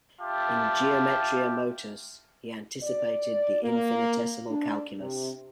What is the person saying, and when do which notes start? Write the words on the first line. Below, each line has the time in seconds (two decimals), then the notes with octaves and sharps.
In "Geometria Motus", he anticipated the infinitesimal calculus.
0.22 F4 G4 E5 A5
2.83 D5
3.63 A#3
4.50 D4
5.00 C3